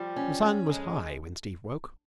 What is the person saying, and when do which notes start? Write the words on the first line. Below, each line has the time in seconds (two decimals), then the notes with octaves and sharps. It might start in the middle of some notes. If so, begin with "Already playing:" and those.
The sun was high when Steve woke.
Already playing: F3 G3
0.16 C#4
0.41 C#4
0.67 F2 G#3